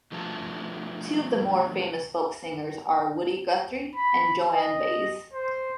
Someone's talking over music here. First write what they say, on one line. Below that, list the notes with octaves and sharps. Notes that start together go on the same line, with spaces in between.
Two of the more famous folk singers are Woody Guthrie and Joan Baez.
B2 D3 F3 A3 A5
B5
D#5
C5